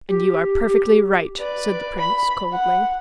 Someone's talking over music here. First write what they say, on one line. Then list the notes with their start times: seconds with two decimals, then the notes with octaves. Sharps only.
"And you are perfectly right," said the prince, coldly.
0.09 G4
1.38 B4 D5
1.99 B5
2.52 F#5